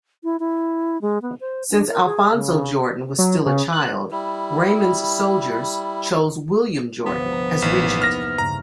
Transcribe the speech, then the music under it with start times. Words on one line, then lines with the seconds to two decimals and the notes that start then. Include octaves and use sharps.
Since Alfonso-Jordan was still a child, Raymond's soldiers chose William-Jordan as regent.
0.24 E4
0.40 E4
1.02 G#3
1.22 B3
1.40 C5
1.70 D4
1.90 A#4
2.05 G#4
2.33 C#3
3.18 F#3
3.46 C#3
3.73 F#6
4.11 G3 E4
7.06 G1 C2 F3 B3
7.32 A#5
7.62 A1 A#3 D#4
8.02 E2 F6 A#6
8.38 G2 C#3 A#5